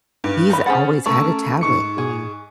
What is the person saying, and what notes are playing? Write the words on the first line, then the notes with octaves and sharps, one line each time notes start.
he's always had a tablet, and
G2
D#4 B5
C#4 G#4 C5 F#5 A6
A3 C#4 A4 A#4 C#6
G#2 C#6 C#7
G#4